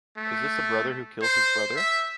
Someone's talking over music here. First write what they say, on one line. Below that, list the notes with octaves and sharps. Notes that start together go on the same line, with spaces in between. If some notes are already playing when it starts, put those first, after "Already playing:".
Is this a brother who kills his brother?
A3
C5
E5